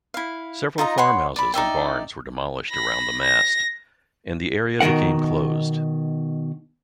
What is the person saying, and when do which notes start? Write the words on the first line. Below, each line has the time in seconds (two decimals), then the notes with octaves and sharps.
Several farmhouses and barns were demolished around the mast and the area became closed.
0.14 E4 F5
0.78 D#4 F4 D#5 A#5
0.98 C#5 F#5 B5 C6
1.36 D5 B5
1.54 D#4 D5 E5 G5
2.69 B5 A#6
3.22 A#6
4.80 B2 D#3 A3 A#4 F#5